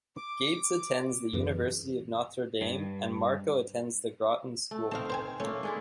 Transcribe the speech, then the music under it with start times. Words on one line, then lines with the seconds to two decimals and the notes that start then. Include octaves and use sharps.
Gates attends the University of Notre Dame, and Marco attends the Groton School.
0.17 D6
1.33 F#2 C#3 E3
2.61 G2
4.71 A3
4.92 C4 D#4 A#4 F5 A5
5.10 C5 G5 G#5
5.40 A3 A#3 C#4
5.63 G#3 D4 E4